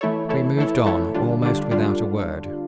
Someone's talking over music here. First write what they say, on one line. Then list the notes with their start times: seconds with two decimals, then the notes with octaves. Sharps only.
We moved on almost without a word.
0.01 E3 A3 E4 A4 C#5
0.29 E3 A3 E4 A4 C#5
0.57 E3 A3 E4 A4 C#5
0.86 E3 A3 E4 A4 C#5
1.14 D3 G3 D4 F4
1.43 D3 G3 D4 F4
1.71 D3 G3 D4 F4